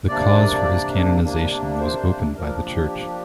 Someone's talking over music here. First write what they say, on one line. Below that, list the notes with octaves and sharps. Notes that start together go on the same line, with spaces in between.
The cause for his canonization was opened by the Church.
C3 A#3 D4 D5
C3 A#3 D4
C5
F3 A#3 D4 A#4
G4